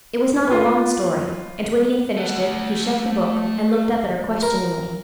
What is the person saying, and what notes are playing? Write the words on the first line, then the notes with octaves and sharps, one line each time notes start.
It was not a long story; and when he had finished it he shut the book and looked up at her questioningly.
F4 B4
A3 F#5
A#4